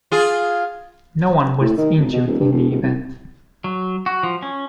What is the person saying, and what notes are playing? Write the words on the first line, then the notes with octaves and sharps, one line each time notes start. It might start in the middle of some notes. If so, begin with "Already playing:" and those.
No one was injured in the event.
F4 G#4
A2
D#3
G#1
B2
D#1
G2
E1
D#1
C2
F#3
F#4
F3
C#4